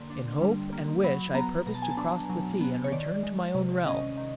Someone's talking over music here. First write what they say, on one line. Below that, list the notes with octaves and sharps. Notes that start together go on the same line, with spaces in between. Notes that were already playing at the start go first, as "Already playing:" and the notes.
In hope and wish I purpose to cross the sea, and return to my own realm.
Already playing: D3 A#3 C6
D4
G3
A#3
F#3 B5
B3 A#5
B2 A#5
A5
G#5
A5
D4
F#3
B3
C#5
D#3 D5
G#3
C3
C#4 D#5
D#3